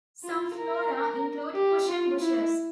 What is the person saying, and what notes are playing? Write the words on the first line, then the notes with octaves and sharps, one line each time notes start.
Some flora include cushion bushes.
F4
A#4
G4
F4
E4